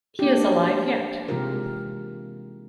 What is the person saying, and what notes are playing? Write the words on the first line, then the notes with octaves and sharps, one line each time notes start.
He is alive yet.
A#3 D4 D#4 G4
C3 E3 G#3 F4 G4 A#4